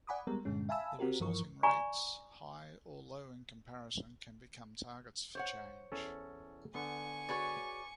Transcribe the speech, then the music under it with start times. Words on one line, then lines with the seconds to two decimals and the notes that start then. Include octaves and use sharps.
The resulting rates, high or low in comparison, can become targets for change.
0.07 D5 F#5 G#5 B5 D6 D#6
0.27 G3 G#3 B3 A#4
0.45 G2 A#2 D3 G#3 C#4
0.69 E5 F5 G#5 A5 B5 E6
0.99 C4 F#4 G4 A#4
1.20 G2 E3 F3 A#4 C#6
1.63 D5 G#5 A#5 C#6
5.35 C5 C#5 F#5
5.92 E2 C#4 A4
6.75 D3 B3 G#5 C#6
7.29 F#4 G#4 B4 C#5 D5